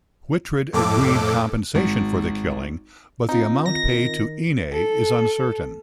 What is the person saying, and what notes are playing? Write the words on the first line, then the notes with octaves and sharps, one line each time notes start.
Wihtred agreed compensation for the killing, but the amount paid to Ine is uncertain.
F2 A2 A4 D6
G#1
C4 D#4 F4
D#3 A#6
A4